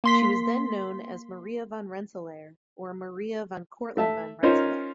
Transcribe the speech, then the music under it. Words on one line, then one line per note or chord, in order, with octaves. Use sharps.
She was then known as Maria van Rensselaer or Maria van Cortland van Rensselaer.
A#3 C6 B6
A3 E5 A5
C#4 D#4 F4 A#4 C5 C#5